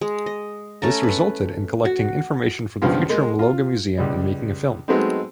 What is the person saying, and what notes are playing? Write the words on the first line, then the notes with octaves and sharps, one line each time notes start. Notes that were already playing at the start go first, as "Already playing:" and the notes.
This resulted in collecting information for the future Mologa Museum and making a film.
G#3
D#5
A3 C#4 A5 A#5
B4
F#4
C#2 G2 F3 B3 F4
G#3 A#3
F4
C#2 G3
F#3 G#3 A3 B3 C4 D#4